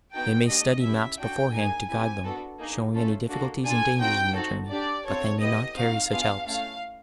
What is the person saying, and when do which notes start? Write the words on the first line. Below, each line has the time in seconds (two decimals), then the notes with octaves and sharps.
They may study maps beforehand to guide them, showing any difficulties and dangers in the journey, but they may not carry such helps.
0.12 B3 D#4 F#4 A4 G5
0.47 A3 D4 G4 D#5
0.83 C#4 E4 G4 E5
1.18 D4 F#4 A4 G5
1.53 A#3 D#4 G#4 G#5
1.88 C4 E4 G4 G#5
2.24 B3 D4 F#4 A4
2.59 A#3 D#4 G#4
2.94 A3 C#4 F4 A4
3.29 A#3 D4 F#4 A4
3.65 D4 F4 A4 G#5
3.99 C4 D#4 F#4 G5
4.35 C4 D#4 F#4 A4
4.70 D4 G4 D5
5.06 C4 F4 A4 C#5
5.40 B3 E4 G4 D#5
5.75 C4 D#4 F#4 F5
6.11 B3 D4 F4 G#4 F5
6.46 A3 C#4 E4 F5